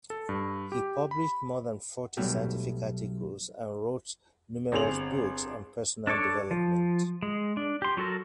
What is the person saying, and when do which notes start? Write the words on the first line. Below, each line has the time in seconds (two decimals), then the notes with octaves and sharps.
He published more than forty scientific articles and wrote numerous books on personal development.
0.10 A4
0.29 G2
0.72 G4
1.11 B5
2.17 B1 B2 F#3 G3 A3
4.72 G1 C4 G#4 C5 F7 F#7
6.07 D4 A4 C#5 D6
6.51 F3
7.22 G#3
7.57 D4
7.82 G4 C6
7.97 F#3 F#4 A4 A#4